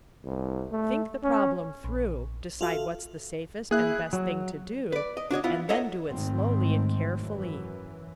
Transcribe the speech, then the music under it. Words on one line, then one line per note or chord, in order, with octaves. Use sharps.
Think the problem through, decide what's the safest and best thing to do, and then do it slowly and carefully.
C2
A3
C#4
A#1
F4 F#4 A4 E5 F5
A#3 E4 G#4 F#6
F#3
B4 D5
D#5
D4 F#4 C#5 D#5
B3 E4 F4
A4 C#5 D#5 E5 F#5 A#5
G#1 G#2 D#3 A3 C4
F#2 E3